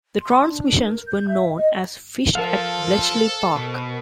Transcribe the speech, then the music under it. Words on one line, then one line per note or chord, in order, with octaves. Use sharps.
The transmissions were known as Fish at Bletchley Park.
C6
D4
A#4
G6
E5
D#5
F3 F4 A4 A#4 C5 F5 A5
B2